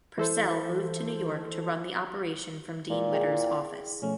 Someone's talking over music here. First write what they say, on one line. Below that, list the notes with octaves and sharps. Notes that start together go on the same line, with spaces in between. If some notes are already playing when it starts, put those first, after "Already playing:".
Purcell moved to New York to run the operation from Dean Witter's office.
E3 A4 C5
A#2 G#3
E4 G#4 G5
B2 F3 A3 C#4